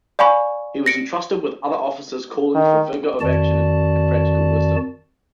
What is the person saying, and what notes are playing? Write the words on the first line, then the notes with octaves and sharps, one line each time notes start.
He was entrusted with other offices calling for vigour of action and practical wisdom.
D5 F5 G#5 B5 C#6
A#6 C#7 D7
D#3
F2 D#3 F#4 D5 A5